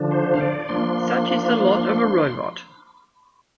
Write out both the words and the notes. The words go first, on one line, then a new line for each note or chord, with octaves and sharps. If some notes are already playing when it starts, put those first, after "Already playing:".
Such is the lot of a robot.
Already playing: D3 F3 D4
C5
F5
D5
F3 A#3 D4 C6